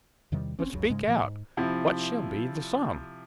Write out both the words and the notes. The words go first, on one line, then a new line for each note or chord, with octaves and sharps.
But speak out--what shall be the sum?'
E2 C3 D#3 G3
F1 C4 C#4
D1 C#2 F#2 C#3
G#2 C#3 G#3
A#2 F3 A#3
G#2
C3 F3 E4